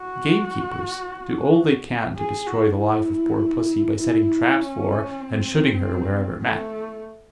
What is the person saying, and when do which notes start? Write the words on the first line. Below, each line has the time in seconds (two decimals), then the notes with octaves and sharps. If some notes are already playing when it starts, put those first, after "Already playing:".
Gamekeepers do all they can to destroy the life of poor pussy by setting traps for, and shooting her wherever met.
Already playing: F#4
2.17 G#4
2.47 F#4
2.78 E4
4.00 E4
4.61 C#4
5.21 C4
6.44 A3